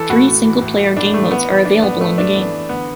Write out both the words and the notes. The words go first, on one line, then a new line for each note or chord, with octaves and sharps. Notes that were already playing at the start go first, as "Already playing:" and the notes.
Three single player game modes are available in the game.
Already playing: E3 A4
A2 F#4
A2
E3
A2
A2
A2 D4
E3 A3
E3 B3
E3
E3 D4
A2 B3
A2 A3
A2 D4
E3 B3
E3
D3 B3